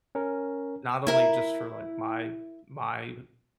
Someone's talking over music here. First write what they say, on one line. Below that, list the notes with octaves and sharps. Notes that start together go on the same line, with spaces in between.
not only just for, like, my my
C#4 A#4
E4 A#4